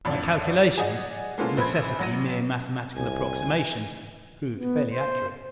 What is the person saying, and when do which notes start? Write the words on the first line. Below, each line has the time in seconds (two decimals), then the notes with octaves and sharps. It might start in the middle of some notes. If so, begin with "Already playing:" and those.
My calculations--of necessity mere mathematical approximations--proved fairly accurate.
0.05 A1 F2 D3 D5
0.78 G#4 D5 D#5 F#5
1.38 G#3 A#3 B3 C#4 F4 A4
1.57 A#1 B4 C5 B5 G#6
1.99 A1 F#3 A#6 D#7
2.95 C2 G#5
4.59 B3
4.93 C5